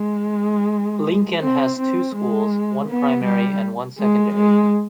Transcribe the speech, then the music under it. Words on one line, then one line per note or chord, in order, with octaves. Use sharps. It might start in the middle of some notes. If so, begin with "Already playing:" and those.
Lincoln has two schools, one primary and one secondary.
Already playing: G#3
C4
C4
G#3
B3
G3
G#3
G#3